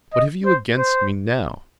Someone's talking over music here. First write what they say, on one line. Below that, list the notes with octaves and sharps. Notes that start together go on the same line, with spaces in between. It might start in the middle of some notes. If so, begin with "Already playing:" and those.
What have you against me now?
D#5
C5
C5